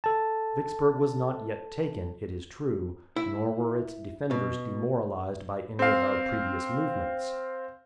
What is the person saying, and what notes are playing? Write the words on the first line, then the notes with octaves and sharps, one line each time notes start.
Vicksburg was not yet taken, it is true, nor were its defenders demoralized by any of our previous movements.
A4 A5
E4
B2
C4 F5